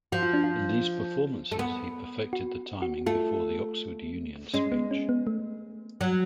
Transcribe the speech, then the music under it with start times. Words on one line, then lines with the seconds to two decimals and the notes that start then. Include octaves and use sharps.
In these performances he perfected the timing before the Oxford Union speech.
0.12 F3 F#4
0.23 F4
0.34 D4
0.44 F4
1.52 A3
1.59 B3
2.33 F#4
2.82 F#4
3.06 A3 F4
4.54 G#3 C#4
4.72 B3
4.91 C#4
5.09 B3
5.27 A3
6.01 F#3